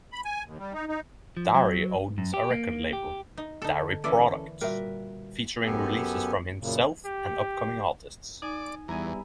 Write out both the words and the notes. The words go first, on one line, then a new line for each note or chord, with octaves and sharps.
Darey owns a record label, Darey Products, featuring releases from himself and upcoming artists.
B5
G#5
D#2
G3
D#4
D#4
F3
F#3
F#2
G4
A#3
G4
D#4
D3 D#4 A4
E3 A#3 C#4 A4 D5 E6
A#2 G3 F#4 A#4 B4 E5
F#2 B3 G4 A4 G#5
F#2 A#2 C#3
G4
D#4 D5 G#5
E2 G3 B3 E4 G#4 G#5 A#5